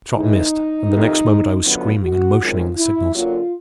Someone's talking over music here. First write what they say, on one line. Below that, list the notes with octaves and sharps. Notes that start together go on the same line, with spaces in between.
The shot missed, and the next moment I was screaming and motioning the signals.
A2 E3 G#3 D#4
F2 C3 D#3
F#2 D3 F#3 B3 F4
F#4
F#2 D#3 G#3 C4 F4
E4
F#2 D3 F#3 A#3 F4